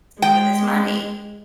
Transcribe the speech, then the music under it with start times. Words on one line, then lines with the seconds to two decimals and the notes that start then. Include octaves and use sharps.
some of this money
0.22 G#3 G5